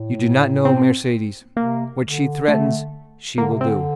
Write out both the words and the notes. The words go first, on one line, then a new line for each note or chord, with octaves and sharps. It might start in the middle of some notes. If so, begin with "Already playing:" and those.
"You do not know Mercedes; what she threatens she will do."
Already playing: A2
C4
C3 A#3
D3
A3
D3 A#3
C3
C4
D3